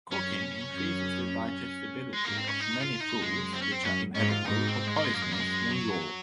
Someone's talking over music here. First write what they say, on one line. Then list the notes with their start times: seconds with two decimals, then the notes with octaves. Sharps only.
Cooking increases the digestibility of many foods which are inedible or poisonous when raw.
0.11 F#2 C#4
0.73 F#2
2.13 G#3
2.25 G#2 A#3
2.37 C4
2.47 C#4
2.60 D#4
2.80 F4
3.00 D#4
3.22 F#2 G#3
3.53 C4
3.62 C#4
3.72 C4
3.84 F#2 C#4
4.15 G#2 C#4
4.30 F4
4.45 G#2 D#4
4.67 C4
4.87 G#3
4.96 A#3
5.04 F#2 G#3
5.14 A#3
5.22 G#3
5.32 A#3
5.40 G#3
5.71 F#3